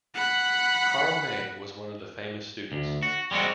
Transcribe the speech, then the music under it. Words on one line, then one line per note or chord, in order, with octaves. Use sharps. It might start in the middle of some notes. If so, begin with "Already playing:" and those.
Karl May was one of the famous students.
F#5 B5
D2
F#4
G3 G#3 C4 F#4